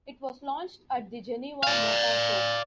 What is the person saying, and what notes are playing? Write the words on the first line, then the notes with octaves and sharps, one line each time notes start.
It was launched at the Geneva Motor Show.
D5 F5